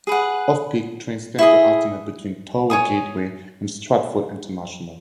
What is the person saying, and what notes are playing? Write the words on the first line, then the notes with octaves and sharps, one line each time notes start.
Off-peak, trains tend to alternate between Tower Gateway and Stratford International.
G#4 B4 F#5
E4 G#4 D#5
C#5 G#5 D#6